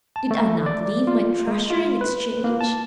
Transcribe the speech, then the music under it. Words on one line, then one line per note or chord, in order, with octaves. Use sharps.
"Did I not leave my treasure in exchange?"
A5
A3
D5
F4
G#3
F4
B4
A#3
A5